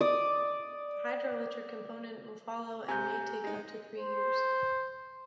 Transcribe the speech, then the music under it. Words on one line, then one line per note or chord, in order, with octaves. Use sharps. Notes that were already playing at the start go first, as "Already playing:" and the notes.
The hydroelectric component will follow and may take up to three years.
D5 D6 D#6
C3 G#5 A#5 G6
G#3 D#4
C5